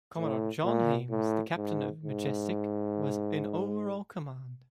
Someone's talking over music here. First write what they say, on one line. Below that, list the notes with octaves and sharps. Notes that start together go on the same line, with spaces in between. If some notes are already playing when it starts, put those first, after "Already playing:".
Commodore John Hayes, the captain of "Majestic", was in overall command.
A2
A#2
A2
G#2
G#2